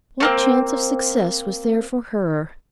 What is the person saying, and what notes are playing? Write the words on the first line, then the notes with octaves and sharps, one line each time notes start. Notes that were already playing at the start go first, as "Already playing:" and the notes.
What chance of success was there for her?
A3 A#3 C4